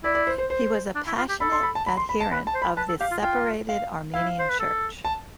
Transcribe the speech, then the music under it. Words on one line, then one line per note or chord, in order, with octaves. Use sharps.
He was a passionate adherent of the separated Armenian Church.
E4 D5
D5
C5
C5
C5
D4
E4
F4
G4
A4 B5
C6
B5
A5
B5
C6
B5
A5
B4 B5
A5
C5
B5
B4 A5
A4
G4 F5
F4
F4 G5
F5
E4 F5
C5
B4
A4
A5